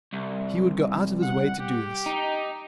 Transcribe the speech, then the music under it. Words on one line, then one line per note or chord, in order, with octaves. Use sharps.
He would go out of his way to do this.
C2
F#5
G4
D#4